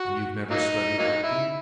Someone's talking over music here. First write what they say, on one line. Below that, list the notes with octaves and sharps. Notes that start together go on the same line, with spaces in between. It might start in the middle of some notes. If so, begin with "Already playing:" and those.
"And you never studied acting?"
Already playing: F#4
F#3 A#3 D#4
F#3 A#3 D#4
E4